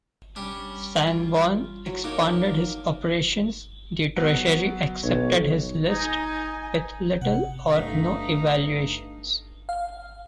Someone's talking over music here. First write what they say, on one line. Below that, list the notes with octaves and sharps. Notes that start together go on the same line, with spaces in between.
Sanborn expanded his operations, the Treasury accepted his list with little or no evaluations.
G3 C#4 D4
F4
F#3
A#3 D4 D#4 C#5
F#3 B3
B1 C#5
D#4 G#5
C3 F#5
G2 A3 D#4 D#5 F5 B6
F5